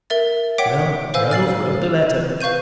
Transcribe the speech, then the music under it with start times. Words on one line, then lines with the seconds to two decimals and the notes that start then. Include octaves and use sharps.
Well, Ruggles wrote the letter.
0.10 A#4 E5 A6
0.58 C#5 F#5 G5 D6 B6 D7
1.14 B4 C5 F5 G#5 E6
1.31 F6 A6 C7 F#7
2.40 B4 F5 C#6 G6 D#7